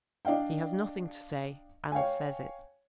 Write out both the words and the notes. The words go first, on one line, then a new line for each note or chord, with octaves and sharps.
He has nothing to say and says it.
D4 D5 D#5 F5 G5
C#5 F5 G5 G#5